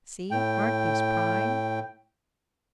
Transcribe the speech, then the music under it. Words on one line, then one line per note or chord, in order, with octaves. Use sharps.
"See--aren't these prime!"
A2 G5